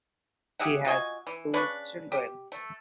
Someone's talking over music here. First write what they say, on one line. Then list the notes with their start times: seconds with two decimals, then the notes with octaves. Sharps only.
He has two children.
0.59 G4 G#4 E5 F#5
0.85 F4 F#4 D#5 G#5
1.27 E3
1.54 C#3 D4 B4 C#6
2.12 G4
2.52 A3